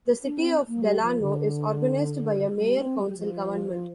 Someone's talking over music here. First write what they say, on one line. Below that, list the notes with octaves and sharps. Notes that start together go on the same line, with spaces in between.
The city of Delano is organized by a Mayor-Council government.
D4
C4
A#3
G3
F3
D3
G3
C4
G3
G3
F3